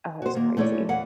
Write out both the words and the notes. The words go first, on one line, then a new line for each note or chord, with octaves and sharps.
Oh, it was crazy.
F#4 C5
D#3 A#3
A3 C#4 E4 C#5 D5
E2 F5 F#5